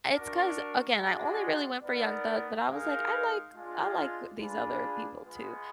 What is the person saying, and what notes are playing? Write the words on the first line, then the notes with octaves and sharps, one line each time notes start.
it's 'cause again, I only really went for Young Thug, but I was like, "I like I like these other people too."
D4 F#4 A#4
G#3 D4 F#4
B3 D#4 A#4 D5
G#3 D#4 A#4 F5
G#3 D4 F4
D4 F4 G#4 B4
G#3 B3 F4 B4